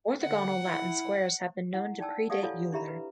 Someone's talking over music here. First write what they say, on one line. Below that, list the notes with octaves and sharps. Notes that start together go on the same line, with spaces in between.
Orthogonal Latin squares have been known to predate Euler.
D3 F#5
E4
E4 F#5
D#4 D5 G5 A5 E6
G4 D5 F5 F#5 D#6
E4 F4 A4 C#5 F5 G#5
D4 E4 G4 E5 A#5 B5
B4